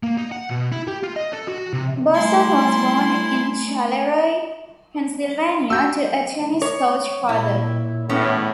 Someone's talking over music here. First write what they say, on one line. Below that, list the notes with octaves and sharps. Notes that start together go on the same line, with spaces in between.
Bosson was born in Charleroi, Pennsylvania to a tennis coach father.
A#3
D#4
F#5
B2
E4
G4
F4
D#5
A4
F#4
C3
G3 A3 E4 G#5 A#5 C6
F#4 E6 G6
C#5
A#2 E4
E2 A2 B3 C#4